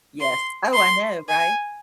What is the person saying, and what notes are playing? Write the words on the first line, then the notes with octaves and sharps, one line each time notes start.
Yes. Oh, I know. Right?
C6
C6
G#5